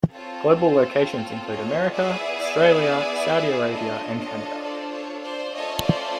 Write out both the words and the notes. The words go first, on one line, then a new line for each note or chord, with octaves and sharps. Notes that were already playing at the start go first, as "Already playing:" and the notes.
Global locations include America, Australia, Saudi Arabia and Canada.
C4 F4 A4 C#5
C5
C#5
C#5 D#5
B3 E4 G#4 D5 E5
D5 E5
D4 F4 A4 C#5 D#5
C#5 D#5
C5 D5
C#5
C5 D5
A3 C#4 F4 A4 C#5 D#5
C5 D5